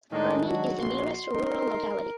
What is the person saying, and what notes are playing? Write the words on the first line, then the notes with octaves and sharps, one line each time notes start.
Urman is the nearest rural locality.
A2 D#3 G#3 D4 D#4
F#3 F#4
A#1 C6
D#4 A#4